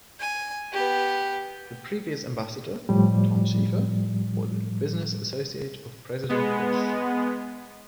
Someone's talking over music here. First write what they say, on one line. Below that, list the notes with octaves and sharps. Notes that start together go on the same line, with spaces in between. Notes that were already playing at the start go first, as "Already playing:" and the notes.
The previous Ambassador, Tom Schieffer, was a business associate of President Bush.
G#5
B3 G4
A2 F3 G3
G#3 B3